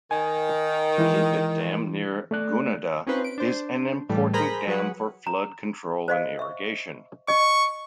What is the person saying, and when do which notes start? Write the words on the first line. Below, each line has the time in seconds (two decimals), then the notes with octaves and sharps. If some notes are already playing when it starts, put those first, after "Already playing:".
Keepit Dam near Gunnedah is an important dam for flood control and irrigation.
0.11 D#3 G#5
0.98 E3 G#3 E4
2.31 A3 D5 F#6
3.06 C4 C#4 D#4 F4 B4 C5
3.24 D7
3.38 D4 C5
4.09 A2 E3 G3 A3
4.33 G#4 A#4 C5 A#5 B5 G6
4.67 F#3 G#4 B4 F#5
5.27 A#5
6.08 C5 D#5 F5
6.39 E5 C#6
7.28 D#5 C#6